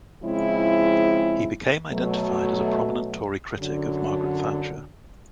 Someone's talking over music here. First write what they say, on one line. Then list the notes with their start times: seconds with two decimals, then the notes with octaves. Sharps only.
He became identified as a prominent Tory critic of Margaret Thatcher.
0.22 C#3 F3 G#3 C4 E4
1.90 B2 F#3 A3
3.57 F#2 D3 F#3